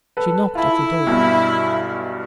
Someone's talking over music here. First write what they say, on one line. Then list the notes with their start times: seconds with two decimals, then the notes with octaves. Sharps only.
She knocked at the door.
0.17 A4 B4
0.55 E4 F4 A4
1.07 B1 G2 B2